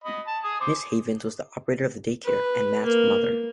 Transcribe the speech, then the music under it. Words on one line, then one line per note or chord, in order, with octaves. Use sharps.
Miss Havens was the operator of the day care and Matt's mother.
D#5 B5
A5
G#5 D#6
C5 D6
B4
A#3